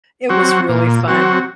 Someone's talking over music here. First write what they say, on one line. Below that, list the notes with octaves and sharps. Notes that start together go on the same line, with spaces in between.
It was really fun.
F#3 C4 F#4
A#2
F#3 C4 F#4